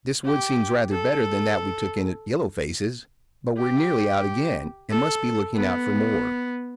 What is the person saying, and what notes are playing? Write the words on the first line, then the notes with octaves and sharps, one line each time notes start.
This wood seems rather better than that we took in at Yellow-Face's, but we're nearly out again, and must be looking out for more.
G4
A4
G4
A4
B3